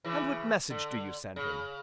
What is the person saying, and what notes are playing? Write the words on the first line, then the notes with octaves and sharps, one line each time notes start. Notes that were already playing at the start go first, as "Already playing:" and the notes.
"And what message do you send him?"
C#3 E3
D3
C#3